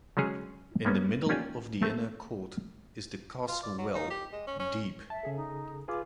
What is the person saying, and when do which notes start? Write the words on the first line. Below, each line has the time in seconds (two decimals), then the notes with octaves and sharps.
In the middle of the Inner Court is the castle well, deep.
0.17 F#3 G#3 C#4 G#4 C#5
0.85 G#3 A#3 B3 C#4
1.29 A#3 C#4 F4 G4 D5 G#5
1.82 A3 C4 A#4
3.48 F4
3.63 D5
3.78 F#3
3.95 D#4
4.10 G4
4.33 G#3
4.47 C#4
4.59 C#4
5.10 E5 A5
5.23 C#3 G#4 A4
5.36 D#4
5.88 F4 G#4 B4 D6